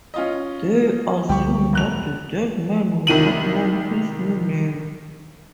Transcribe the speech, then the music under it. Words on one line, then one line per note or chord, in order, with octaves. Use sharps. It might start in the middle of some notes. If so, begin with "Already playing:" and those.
They assume that the dead man will not know his new name.
C#4 F4 D#5
C#2 D3 G3 G4 C#6
E1 F#6 F7
C2 D#3 D#7 F#7